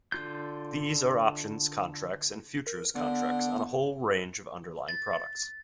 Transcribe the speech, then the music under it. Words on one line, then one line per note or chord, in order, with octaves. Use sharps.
These are options contracts and futures contracts on a whole range of underlying products.
D3 F4 G6
A#4
D3 B3
A6